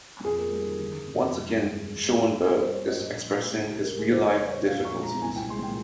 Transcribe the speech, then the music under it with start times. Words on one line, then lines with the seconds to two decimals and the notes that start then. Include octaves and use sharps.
Once again, Schoenberg is expressing his real life difficulties.
0.25 F2 G#4
0.38 A#3
0.51 G3
0.66 D#3
0.79 G1
0.93 G1
1.07 C3
1.21 F2
1.34 G2
1.49 G2
1.63 G#3
1.76 D#3
1.90 G#1
2.04 G#3
2.18 F3
2.32 G#2
2.45 G2 A#4
2.60 G2 C5
2.73 A#3 C#5
2.87 G3 D#5
3.00 A#1 D#5
3.15 A#1
3.28 G#3
3.42 A#2
3.56 C#2
3.70 A#3 G4
3.84 G3 A#4
3.97 C#3 G#4
4.11 F2 C5
4.26 A#3 C#5
4.40 G3
4.48 C#5
4.53 C#3
4.67 A#1 F5
4.80 A#1 C#6
4.94 G#3
5.03 A#2 A#5
5.22 C2 G#5
5.36 C2 G5
5.50 G#3 C6
5.63 A#2 G5